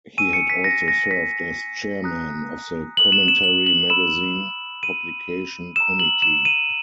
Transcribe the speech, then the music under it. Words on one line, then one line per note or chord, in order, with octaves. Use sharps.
He had also served as chairman of the "Commentary Magazine" publication committee.
G#5 C#6 E6 D#7
C#7
B6
A#6
A#6
B6
A#5 D#6 F#6
F#7
E7
E7
F#7
F#7
B5 E6 E7
D#7
A#5 E6 E7
F#7
E7
D#7